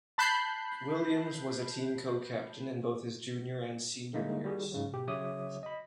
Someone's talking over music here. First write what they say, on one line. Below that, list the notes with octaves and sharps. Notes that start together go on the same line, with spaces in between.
Williams was a team co-captain in both his junior and senior years.
A5 B5 F#6 G6 C7
D3 G3 G#3 A#3 D#4 E4
D#3 G3 F#4 G#4
G#2 C#3 F#3
B2 G4
C#3 F#3 C#5 E5 D6 D#6
D#5 B5